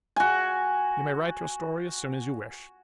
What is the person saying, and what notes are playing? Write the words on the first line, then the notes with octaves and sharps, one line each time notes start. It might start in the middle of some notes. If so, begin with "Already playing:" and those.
You may write your story as soon as you wish.
F#4 G#5